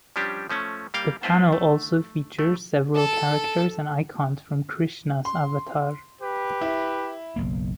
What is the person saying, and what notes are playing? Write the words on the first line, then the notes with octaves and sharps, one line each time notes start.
The panel also features several characters and icons from Krishna's avatar.
F3 G3 C#4 D4 G4
F3 A3 C#4
G3 A#3 F5 G5
C4 E4 F4 B4 C5
A3
A3
A4 A5
C6
G4 B4
E4
F#1 B1 A#3